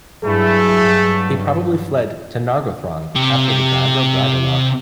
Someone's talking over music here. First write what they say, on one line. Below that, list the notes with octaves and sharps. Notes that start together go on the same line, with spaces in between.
He probably fled to Nargothrond after the Dagor Bragollach.
G2 F#3 A3 E4 G#4
G2
C3 G4